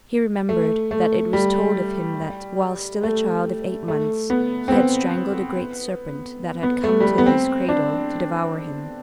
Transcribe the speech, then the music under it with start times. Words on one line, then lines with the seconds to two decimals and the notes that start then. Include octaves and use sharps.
He remembered that it was told of him that, while still a child of eight months, he had strangled a great serpent that had come to his cradle to devour him.
0.49 A3
0.91 A3
1.33 G3
3.03 A3
3.88 A3
4.30 B3
4.68 C4
4.72 B3
6.63 B3
6.84 A3
7.00 G3
7.06 A3
7.18 B3
7.26 C4
7.69 D4